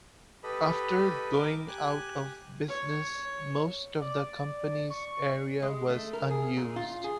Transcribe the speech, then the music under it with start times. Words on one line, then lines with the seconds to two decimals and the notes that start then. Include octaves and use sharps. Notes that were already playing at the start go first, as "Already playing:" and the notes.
After going out of business most of the company's area was unused.
0.43 G4 A4 B4 D#5 B5
1.33 A#4 D6
1.68 G4 G#5 F#6
2.69 C#5
4.02 D5
4.90 C#6
5.62 G#3
5.90 A3
6.13 A#4
6.30 G#4
6.57 A#2
6.76 F4
7.04 G#4